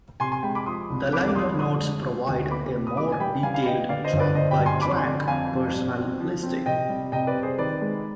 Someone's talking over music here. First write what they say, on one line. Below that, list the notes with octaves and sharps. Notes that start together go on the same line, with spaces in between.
The liner notes provide a more detailed track-by-track personnel listing.
C3 G#5 C6
G#5 C6
G#3 G5 B5
B5 D6
F3 C6 D#6
C2
F2 B5 D6
D6
F3 C6 D#6
D3 C6 D#6
G#3
B3
D2
B3 B5 D6
C3
D#6
G3 B5 D6
G#5
G3 G5 B5
G3 F5 G#5
F5
B3 D#5 G5
D3 D5 F5
C5 D#5
G1
B4 D5
D3 C5 D#5
G5 B5
G2
G#5 C6
F2 B5 D6
G#5 C6
D3
F2 F5 G#5
F2
G2
C4
F3
C4
C3 D#5 G5
G3
C3 D#5 G5
B4 D5
C4
G#4 C5
D#3 B4 D5
G#3